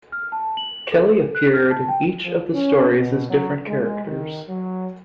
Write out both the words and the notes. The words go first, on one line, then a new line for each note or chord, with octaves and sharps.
Kelly appeared in each of the stories as different characters.
F6
A5
F#7
A4
F#6
F6
A5
G5
F3
C#4
B2
F#3
G#3
D#3
F#3